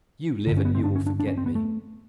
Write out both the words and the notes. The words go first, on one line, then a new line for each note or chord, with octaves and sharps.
You live and you will forget me.
G2 D3
C#4
B3
C4
D4
C#4
D4
D4
C#4
C4
B3
A3